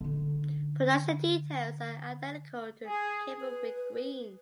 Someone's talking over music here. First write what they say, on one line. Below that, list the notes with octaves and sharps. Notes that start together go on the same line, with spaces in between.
Production details are identical to "Camberwick Green".
D3 D#4
G#4
B4